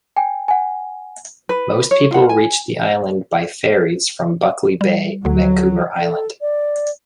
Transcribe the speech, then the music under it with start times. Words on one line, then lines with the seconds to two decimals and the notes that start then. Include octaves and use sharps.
Most people reach the island by ferries from Buckley Bay, Vancouver Island.
0.16 G5 G#5
0.48 F#5 G#5
1.49 B4
1.91 C#5
2.11 F4 F#5
2.29 G#5
4.81 G3
5.25 D2 D3 F#3
6.01 A4
6.41 D5